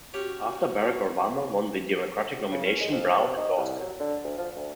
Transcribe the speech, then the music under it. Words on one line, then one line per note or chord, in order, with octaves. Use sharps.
After Barack Obama won the Democratic nomination, Browne endorsed him.
C#4 F#4 G4 C#5
C#3
C#4
G#3
F2
C3
D#4
C2
F#3
D3
D2
F3
D2